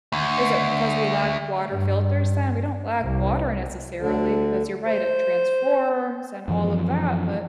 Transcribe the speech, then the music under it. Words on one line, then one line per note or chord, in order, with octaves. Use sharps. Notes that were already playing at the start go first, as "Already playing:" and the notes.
Is it because we lack water filters then? We don't lack water necessarily, because you're right, it transforms and all of that, but
D2
G2
C2
D2 D3
C5
F#2 E3 F3